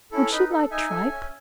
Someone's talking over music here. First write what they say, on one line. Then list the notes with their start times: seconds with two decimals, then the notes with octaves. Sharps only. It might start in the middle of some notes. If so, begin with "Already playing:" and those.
Would she like tripe?
0.11 C#4 E4 A4
0.31 D#4 B4
0.50 A4
0.71 D#4 E5 G#5
0.90 A4
1.11 C#4